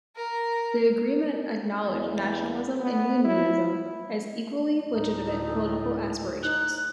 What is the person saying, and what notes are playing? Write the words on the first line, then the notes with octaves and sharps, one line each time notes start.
The agreement acknowledged nationalism and unionism as "equally legitimate, political aspirations".
A#4
E2
B3
E4
D2 A2 D#4
D#4 F#6